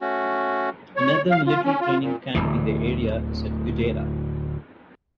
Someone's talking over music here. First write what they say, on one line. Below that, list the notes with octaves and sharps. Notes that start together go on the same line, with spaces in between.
Another military training camp in the area is at Guedera.
A3 C#4 F#4
C#5
F5
F4
C#4
F4
A#2
D1 G1 D2 E3